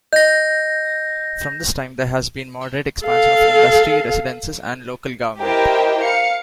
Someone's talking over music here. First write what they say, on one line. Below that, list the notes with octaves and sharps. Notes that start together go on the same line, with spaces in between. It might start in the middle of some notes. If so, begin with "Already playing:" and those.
From this time there has been moderate expansion of industry, residences, and local government.
D#5 G6 A#6
A4 F5
E4 G4 A#4 C5 D#5 G5
F5 C#7